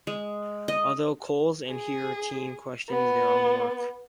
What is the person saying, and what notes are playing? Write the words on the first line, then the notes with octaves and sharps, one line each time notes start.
Although Colls and here team question their own work.
G#3
D#5
G#4
B3